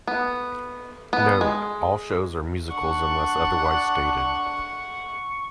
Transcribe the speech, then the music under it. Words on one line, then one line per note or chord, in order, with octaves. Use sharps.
Note: All shows are musicals unless otherwise stated.
B3
B3
G#3
D4 F#5 C#6